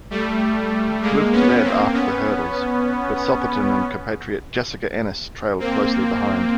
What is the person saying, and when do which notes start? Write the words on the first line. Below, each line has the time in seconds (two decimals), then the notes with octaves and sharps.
Klüft led after the hurdles, but Sotherton and compatriot Jessica Ennis trailed closely behind.
0.10 G3 A3
1.02 G#3 A#3
1.32 B3 C#4
1.63 A#3 C4
1.93 B3 C#4
5.59 A#3 C4